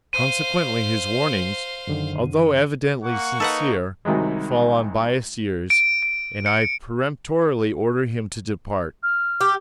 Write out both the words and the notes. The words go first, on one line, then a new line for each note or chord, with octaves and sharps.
Consequently his warnings, although evidently sincere, fall on biased ears, and I peremptorily order him to depart.
C5 F5 D#7
F#2 D3 D#3
A#3 F#5 C#6
D#4 A4 B4 F#5
C2 C3 D#3 F#3 G#3
D7
D7
C#7
F6
G4